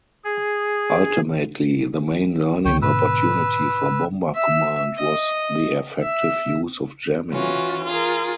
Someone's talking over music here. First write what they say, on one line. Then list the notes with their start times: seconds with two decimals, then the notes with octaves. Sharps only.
Ultimately the main learning opportunity for Bomber Command was the effective use of jamming.
0.24 G#4
2.65 C#2 D3 C#5 G5
2.82 G#2 B2 D3 B4 E6
4.34 E5
4.97 D#5
6.01 E5
7.31 E3 C#4 F4 F#4
7.86 F4 G#4 A#4